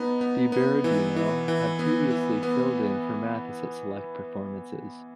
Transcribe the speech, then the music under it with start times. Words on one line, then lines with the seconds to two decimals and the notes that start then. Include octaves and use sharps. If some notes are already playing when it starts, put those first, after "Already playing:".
DiBerardino had previously filled in for Mathis at select performances.
Already playing: B3 D#4
0.21 B3
0.52 B3
0.84 E3
1.16 E3
1.48 E3
1.79 B3
2.11 E3
2.43 B3